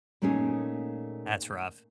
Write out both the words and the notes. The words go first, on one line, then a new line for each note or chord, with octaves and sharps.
That's rough.
A#2 A3 A#3 C#4 D#4 G#4